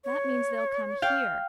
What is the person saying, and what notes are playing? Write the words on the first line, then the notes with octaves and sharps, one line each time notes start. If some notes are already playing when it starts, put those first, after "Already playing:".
That means they'll come HERE.
C#5
F5 G5